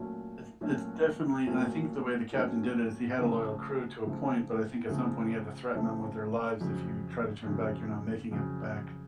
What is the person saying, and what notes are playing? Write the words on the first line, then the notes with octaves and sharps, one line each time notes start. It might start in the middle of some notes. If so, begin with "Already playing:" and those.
it's it's definitely and I think the way the captain did it, is he had a loyal crew to a point, but I think at some point he had to threaten 'em with their lives. "If you try to turn back, you're not making it back."
Already playing: A#2 F#3 A3 C#4 F#4
A#2 F#3 A3 C#4 F#4
A#2 F#3 A3 C#4 F#4
A#2 F#3 A3 C#4 F#4
C#3 F3 A3
C#3 F3 A3
C#3 F3 A3
C#3 F3 A3
F2 C#3 F#3
F2 C#3 F#3
F2 C#3 F#3